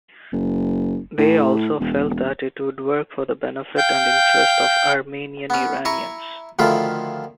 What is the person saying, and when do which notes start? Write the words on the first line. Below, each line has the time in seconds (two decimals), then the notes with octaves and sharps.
They also felt that it would work for the benefit and interest of Armenian-Iranians.
0.32 F#1
1.18 A2
1.80 E1
3.78 F5 G5 G6
5.50 B3 C#4
5.85 E4 G#5 A#5 C#6
6.59 D2 D#3 F3 A3 F4 B5